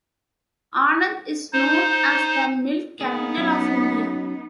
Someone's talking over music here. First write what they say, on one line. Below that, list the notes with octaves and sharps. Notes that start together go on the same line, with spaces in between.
Anand is known as the Milk Capital of India.
D#4 C5
A#3 B3 D#4 G#4
F#3 C#4